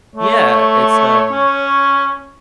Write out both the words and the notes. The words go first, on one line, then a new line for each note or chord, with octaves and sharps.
Yeah, it's, um
A3 C#5
C#4